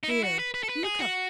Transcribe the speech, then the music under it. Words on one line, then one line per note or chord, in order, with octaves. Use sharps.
Here, look up.
D#4
E4
F#4
B4
B4
A4
B4
G#4
F#4